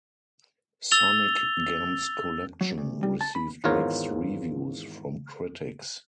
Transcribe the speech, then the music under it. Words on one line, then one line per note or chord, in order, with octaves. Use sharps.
"Sonic Gems Collection" received mixed reviews from critics.
E6 A6 F7 G7
F#3
D2
G3
A5
B5
G#1 E2 G#2 F4 A#4 C#5